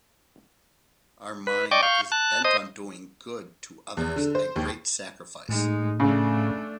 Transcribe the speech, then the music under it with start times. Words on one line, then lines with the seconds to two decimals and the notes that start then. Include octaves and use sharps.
Our mind is bent on doing good to others at great sacrifice.
1.47 B4
1.71 D5 D#5 G5 C#6 D6
1.83 F5 C#6 G6
2.12 A5 F#6
2.44 C5 D#5 D#6
3.97 E2
4.16 D3
4.35 C5
4.56 D#2
5.49 A2 G#3 D#4
6.00 C#3 A3 D4